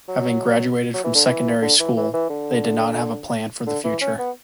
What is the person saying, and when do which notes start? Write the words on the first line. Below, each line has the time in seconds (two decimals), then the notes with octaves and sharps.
Having graduated from secondary school, they did not have a plan for the future.
0.08 F#3
0.94 F#3
1.04 E3
1.15 D3
1.26 E3
1.62 D3
1.80 E3
1.97 E3
2.14 E3
2.30 D3
3.67 D3
3.84 E3
4.01 C#4
4.18 B3